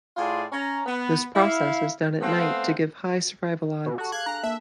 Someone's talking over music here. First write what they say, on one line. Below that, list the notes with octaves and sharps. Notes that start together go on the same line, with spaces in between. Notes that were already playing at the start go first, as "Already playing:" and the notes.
This process is done at night to give high survival odds.
A2 F4 G#4 D5 C6
C#4 A#5
B3
E4 F5
A3 B3 C4 F5 F#5
B2
F#4 G4 A4 A5
G#4 F5 F#6 G#6
D4 G#5 A#5
A#3 E5 A5